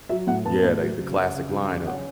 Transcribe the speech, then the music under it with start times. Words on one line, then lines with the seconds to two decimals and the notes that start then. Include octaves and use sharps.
Yeah, they the classic line of
0.09 F#3 E5
0.27 A2 F#5
0.45 B3 A5
0.63 A2
0.81 F#3
0.99 C#3
1.16 C#4 F#5
1.33 C#3
1.51 F#3
1.69 C#3
1.86 C#4 F#5